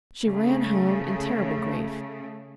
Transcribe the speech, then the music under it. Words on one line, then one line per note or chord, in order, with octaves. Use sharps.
She ran home in terrible grief.
C#3 A3